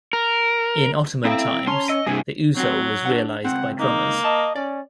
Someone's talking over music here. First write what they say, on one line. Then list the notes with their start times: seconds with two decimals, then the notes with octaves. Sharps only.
In Ottoman times, the usul was realized by drummers.
0.13 A#4
1.25 C4 E4 A4 F5 G5 A#5
1.67 C#4 A5 A#5 C6 F7
1.89 D#5 E6 C#7
2.06 G2 C3 D4 G#4 G#5
2.56 F#3 C4 F#4
3.05 D4 F#5
3.45 C#2 D#3 C4 F#5
3.80 A#3 D#4
4.24 D#5 A5
4.56 C#4 D5